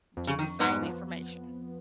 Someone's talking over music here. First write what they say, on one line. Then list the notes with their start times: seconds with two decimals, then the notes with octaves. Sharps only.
get the same information."
0.17 F2
0.27 C#3
0.39 F2 D#3
0.60 G#2 B3
0.82 F3